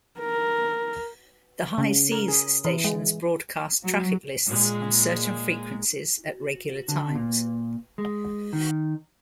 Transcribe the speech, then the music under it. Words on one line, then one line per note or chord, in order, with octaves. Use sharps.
The High Seas stations broadcast "traffic lists" on certain frequencies at regular times.
A#4
C#3
A#4
G#4
E3
G#3
F#3
A#2 G#3
D3
A#2
G#3
D#3